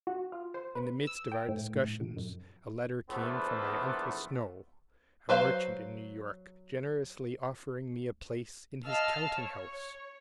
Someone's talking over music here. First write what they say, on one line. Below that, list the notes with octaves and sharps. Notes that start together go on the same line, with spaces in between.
In the midst of our discussions a letter came from my Uncle Snow, a merchant in New York, generously offering me a place in his counting-house.
F#4
F4
C5
B4
E6
G5
A2
A2
A#1
F#2
A#1 E2 A3 B3 C5
F#3 B4 C5 F5
D#5 F5 A5 E6 F6
C#5